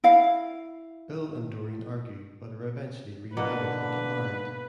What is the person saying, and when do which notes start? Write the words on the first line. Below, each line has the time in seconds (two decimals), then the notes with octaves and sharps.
Bill and Doreen argue, but are eventually reunited and get married.
0.04 E4 F5
3.37 B2 D3 A#3 B4 F#5